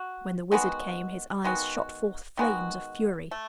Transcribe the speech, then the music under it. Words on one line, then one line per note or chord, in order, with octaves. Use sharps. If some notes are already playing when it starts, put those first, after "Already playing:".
When the wizard came, his eyes shot forth flames of fury.
Already playing: F#4
D#3 G#3 B3 F#4
D#3 G#3 B3 F#4
D#3 G#3 B3 F#4
A3